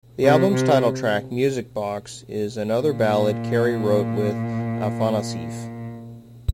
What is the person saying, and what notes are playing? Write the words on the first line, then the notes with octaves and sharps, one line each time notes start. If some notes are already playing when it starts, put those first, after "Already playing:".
The album's title track, "Music Box", is another ballad Carey wrote with Afanasieff.
C3
C3
A#2